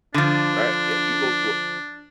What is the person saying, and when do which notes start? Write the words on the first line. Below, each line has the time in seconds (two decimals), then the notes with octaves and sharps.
right. Yeah, you go through it
0.14 D3 F3 D4